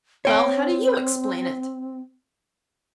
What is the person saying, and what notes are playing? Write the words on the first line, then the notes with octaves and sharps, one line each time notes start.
"Well, how do YOU explain it?"
C4 C#5 G5